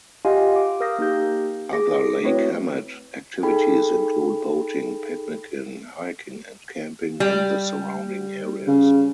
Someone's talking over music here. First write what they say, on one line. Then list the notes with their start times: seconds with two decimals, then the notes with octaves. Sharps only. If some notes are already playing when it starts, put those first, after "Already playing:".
Other Lake Hemet activities include boating, picnicking, hiking, and camping in the surrounding areas.
0.25 F4 G4 D#5 F5 F#5 G#5
0.56 D6
0.80 A#4 F5 D#6 E6 G6 A#6
0.99 A#3 D#4 G4 G6
1.73 G#4 D6 A#6
2.23 A3 C4 E4 F#4 B4 C#5
3.43 D#4 G#4 A4 G5 B5
7.20 G3
8.67 C#3